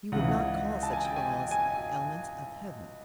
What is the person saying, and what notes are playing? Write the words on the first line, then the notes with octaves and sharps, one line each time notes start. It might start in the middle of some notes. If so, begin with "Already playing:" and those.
You would not call such laws elements of heaven.
C#2 C#3 E3 F#5
A5
G#5
G5
G#5
G#5